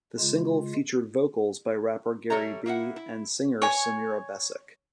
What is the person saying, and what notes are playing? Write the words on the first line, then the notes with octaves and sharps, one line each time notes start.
The single featured vocals by rapper Gary B. and singer Samira Besic.
C#3 G#3 F4
G3 A4 C#5 E5 A#5
A#3 E4 E5 F#5
E4
C#5 G#5